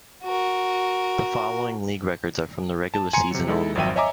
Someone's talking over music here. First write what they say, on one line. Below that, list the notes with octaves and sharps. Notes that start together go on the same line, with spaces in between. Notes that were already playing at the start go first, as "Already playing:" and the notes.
The following league records are from the regular season only.
F#4 A#4
A5
G#5 A#5 C6 C#7
C3 F#3
G#3 D#4 E4 A4
G#1 F2 F#3 E5 G5 D#7
C#5 D#5 E5 G#5 A#5 D6